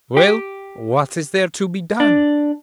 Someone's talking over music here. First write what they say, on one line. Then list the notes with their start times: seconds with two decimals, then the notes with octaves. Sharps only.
'Well, what is there to be done?
0.17 G4
2.00 D4